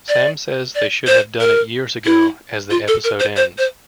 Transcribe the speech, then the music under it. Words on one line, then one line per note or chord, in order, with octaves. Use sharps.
Sam says they should have done it years ago as the episode ends.
D5
D5
C5
A#4
E4
F4
A4
A#4
C5
C5
C5